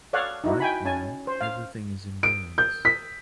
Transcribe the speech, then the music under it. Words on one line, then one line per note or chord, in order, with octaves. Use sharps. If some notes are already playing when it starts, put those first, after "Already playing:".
Right now, everything is in ruins.
A4 C#5 D5 F5 F#5
D#4 E4 F#4
G5 G#5 B5
C#4 G#5 A5
C5
F5
D7
G6
B6